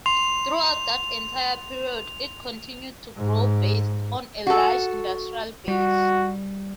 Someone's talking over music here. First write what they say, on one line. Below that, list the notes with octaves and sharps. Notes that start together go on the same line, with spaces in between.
Throughout that entire period, it continued to grow based on a large industrial base.
C6 F7
G#2
F#4 A4
G3 F#4